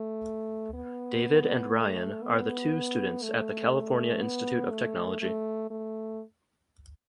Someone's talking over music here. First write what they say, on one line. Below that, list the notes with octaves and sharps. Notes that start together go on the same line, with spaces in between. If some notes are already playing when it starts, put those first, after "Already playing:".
David and Ryan are the two students at the California Institute of Technology.
Already playing: A3
B3
A3
B3
A3
B3
A3
A3
A3